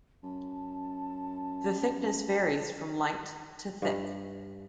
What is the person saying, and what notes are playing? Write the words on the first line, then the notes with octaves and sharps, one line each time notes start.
The thickness varies from light to thick.
F#2 A5
G2